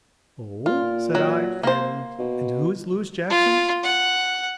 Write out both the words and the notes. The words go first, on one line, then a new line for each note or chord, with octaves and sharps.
"Oh," said I; "and--and who is Louis Jackson?"
A#2 F4
F#3
A#3 C5
B2
F4
F#5